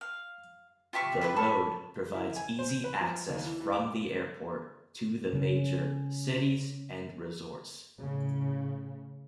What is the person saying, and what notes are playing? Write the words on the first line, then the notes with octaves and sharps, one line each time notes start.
The road provides easy access from the airport to the major cities and resorts.
F5
F4 G4 E5 C#6
E4 F4 B4
A5 B5 C#6
E4
G#5
C5
B4
F3
D#2
E3
E3
D6
C#3 C#4
A2 C#3